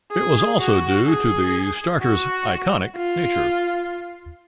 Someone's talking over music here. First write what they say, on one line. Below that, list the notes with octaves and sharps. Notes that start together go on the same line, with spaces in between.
It was also due to the starters' "iconic" nature.
G#4
F#4
G#4
F#4
F4